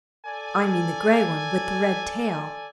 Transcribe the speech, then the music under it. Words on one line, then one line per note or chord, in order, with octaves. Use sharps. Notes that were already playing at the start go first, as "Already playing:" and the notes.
I mean the grey one with the red tail.
A4 D5 G#5